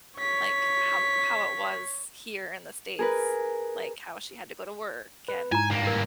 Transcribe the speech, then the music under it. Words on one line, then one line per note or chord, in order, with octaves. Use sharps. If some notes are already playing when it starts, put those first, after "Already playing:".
like how how it was here in the States. Like, how she had to go to work and,
C#5 B6
G#4 A#4 B4
B4
G#2 E4 G#5 A#5
G2 A#3
A#4